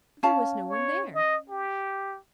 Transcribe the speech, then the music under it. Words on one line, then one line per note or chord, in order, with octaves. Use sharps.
There was no one there!
C#4 F5 A5
C#5
D#5
G4